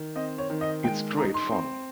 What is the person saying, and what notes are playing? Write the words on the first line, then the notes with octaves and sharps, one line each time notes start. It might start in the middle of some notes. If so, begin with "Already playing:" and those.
It's great fun.
Already playing: D#3
C4 D#5
C#5
D#3
D#5
G#3 G5
D#4 A#5
C6
C4